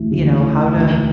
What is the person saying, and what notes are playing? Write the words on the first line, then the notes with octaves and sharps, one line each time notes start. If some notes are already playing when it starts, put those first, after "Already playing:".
you know, how to
Already playing: E1 D2 D3 A3 E4
E1 D2 D3 A3 E4
E1 D2 D3